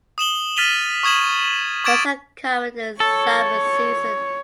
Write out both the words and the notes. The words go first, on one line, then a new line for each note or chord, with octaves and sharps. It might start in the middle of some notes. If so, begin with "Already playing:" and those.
Floods are common in the summer season.
D#6 E7 F#7 G7
F6 A6 B6 D#7 F7 G7
C#6 D#6 G#6 E7 F#7
C#6 D6 G#6 A6 D7 E7
A4 C#5